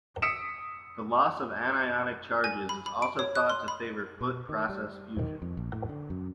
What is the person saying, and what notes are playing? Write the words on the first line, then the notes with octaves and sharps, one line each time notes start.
The loss of anionic charges is also thought to favor foot process fusion.
D#6 E6 B6 C#7 D7 E7
G#5
B5
B5
D7
C#5
F#6
C6
B5
B2
D#3
G3
D#3
F2
A#1
A2
D3
F#2